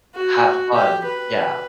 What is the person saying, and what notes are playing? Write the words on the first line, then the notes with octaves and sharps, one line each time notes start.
have fun yeah.
F#4
G4
B4